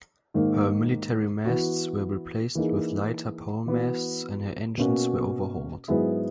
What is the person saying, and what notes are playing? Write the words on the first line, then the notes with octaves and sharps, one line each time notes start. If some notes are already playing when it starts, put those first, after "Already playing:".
Her military masts were replaced with lighter pole masts and her engines were overhauled.
G#2 D#3 A#3
E3 B3 F#4
E3 A#3 D#4 G#4
E3 B3 F#4
B2 A#3 C#4 F#4
G#2 F#3 B3 E4 G#4